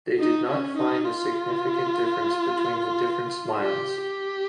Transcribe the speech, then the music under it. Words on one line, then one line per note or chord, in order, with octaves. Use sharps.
They did not find a significant difference between the different smiles.
D#4
C#4
D#4
F4
G4
G4